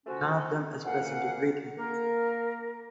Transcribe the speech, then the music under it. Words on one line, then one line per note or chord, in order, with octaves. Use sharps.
None of them is present to greet him.
F3 A3 C#4 F#4
D2 A#2 C#4 F5 F#5
A#3 A#4